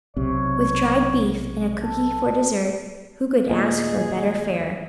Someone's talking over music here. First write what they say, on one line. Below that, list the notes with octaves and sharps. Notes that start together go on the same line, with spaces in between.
With dried beef, and a cookie for dessert, who could ask for better fare?
B1 C3 C#5
A4
D#2 A#2 G#4 D#5